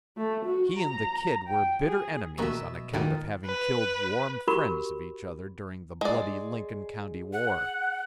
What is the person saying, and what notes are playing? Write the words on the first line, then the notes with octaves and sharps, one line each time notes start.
He and the "Kid" were bitter enemies on account of having killed warm friends of each other during the bloody Lincoln County war.
A3
F#4
A#5
G5
G#4
D2 B2 A#3 E5 C#6
D2 A#2 D#3
B4
F#4 G4 A#4 B5 C#6
G#3 D5
F#5